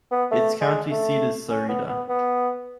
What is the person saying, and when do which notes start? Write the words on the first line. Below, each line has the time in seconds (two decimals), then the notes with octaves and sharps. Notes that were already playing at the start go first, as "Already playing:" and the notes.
Its county seat is Sarita.
0.11 B3
0.31 A3
0.61 G#3
0.91 A3
1.50 C#4
1.69 B3
1.89 B3
2.09 B3